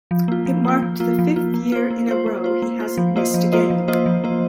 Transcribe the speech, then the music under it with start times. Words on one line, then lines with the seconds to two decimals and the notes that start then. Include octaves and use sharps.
It marked the fifth year in a row he hasn't missed a game.
0.11 F3
0.28 A#3 F4
0.46 F3
0.65 A#3 F4
0.83 F3
1.00 A#3 F4
1.19 F3
1.36 A#3 F4
1.54 A#3
1.72 F4 C5
1.91 A#3
2.08 F4 C5
2.26 A#3
2.44 F4 C5
2.62 A#3
2.80 F4 C5
2.98 F3
3.16 A#3 F4 C5 D#5
3.34 F3
3.52 A#3 F4 C5 D#5
3.70 F3
3.88 A#3 F4 C5 D#5
4.06 F3
4.24 A#3 F4 C5 D#5